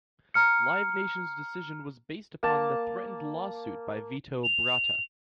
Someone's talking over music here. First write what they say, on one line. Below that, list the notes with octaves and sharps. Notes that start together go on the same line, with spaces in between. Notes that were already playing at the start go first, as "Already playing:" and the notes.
Live Nation's decision was based upon the threatened lawsuit by Vito Bratta.
A#5 F6 C#7
A#3 A5
F7